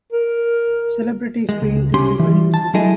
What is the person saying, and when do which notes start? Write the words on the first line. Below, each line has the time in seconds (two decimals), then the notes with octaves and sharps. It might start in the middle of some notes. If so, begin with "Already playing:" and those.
Celebrities began to frequent the city.
0.12 A#4
1.49 G#3
1.62 C#2
1.94 C2 C#4 G4 C6
2.19 E3 G3
2.54 A5
2.74 F#3 G#3 A3 E4 G#4 D#5